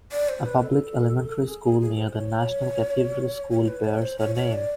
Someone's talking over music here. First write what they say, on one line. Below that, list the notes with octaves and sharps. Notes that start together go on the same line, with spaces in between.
A public elementary school near the National Cathedral School bears her name.
D5
C5
B4
A4
G#4
G#4
G#4
C5
C#5
C#5
B4
C#5
C5
C#5
C#5
D5